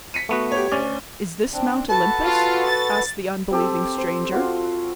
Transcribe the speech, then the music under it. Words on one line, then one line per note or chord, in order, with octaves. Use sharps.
"Is this Mount Olympus?" asks the unbelieving stranger.
B6 C#7 D#7
A3 B3 F#4
G4 C#5
D2 C#4 D5
C4 D4
F#4 A4 B4 A5
F4
A6
C4 G4 A4
C5
F4 F#4